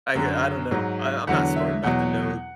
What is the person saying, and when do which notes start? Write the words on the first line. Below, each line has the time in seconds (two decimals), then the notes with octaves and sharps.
I I don't know, I I'm not smart enough to know
0.15 F#2 D3 F#3
0.71 G#2 F#3
1.27 E2 D3 F#3 F#5
1.56 E5
1.83 E2 B2 F#3 F#5